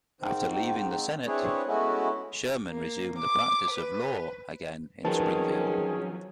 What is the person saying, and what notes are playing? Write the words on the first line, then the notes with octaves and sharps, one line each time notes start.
After leaving the Senate, Sherman resumed the practice of law again in Springfield.
G#2 D#3 C4
C4 D4 E4 G#4 B4 C#5
G#3 A3 B3 C#4 E4 F#4
A#3
D6
B4
G#1 D#3 F3 F#3 C#4 G#4 B4 A5